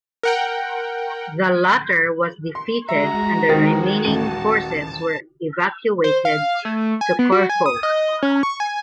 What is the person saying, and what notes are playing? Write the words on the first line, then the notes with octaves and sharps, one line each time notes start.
The latter was defeated and the remaining forces were evacuated to Corfu.
A#4 F#5 G5
C6
G#3 F#4 E5 A#5
D#2 D#3 C4 A6
D#1 A1 F#4 A5 D#7
C5
F5
A3
G#5
B3
F#4
G#5
D#6
D#5
C#4
C#6
G#5